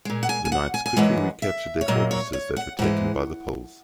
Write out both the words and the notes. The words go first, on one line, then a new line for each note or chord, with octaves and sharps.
The Knights quickly recaptured their fortresses that were taken by the Poles.
A#2 G#3
F#5
G#5
G#5
F#5
G#5
G#5
F#2 E3 G#3 F#5
E5
C#5
A#2 F#3 A#3 D#5
C#5
C#5
F#5
G#2 E3 G#3 F#5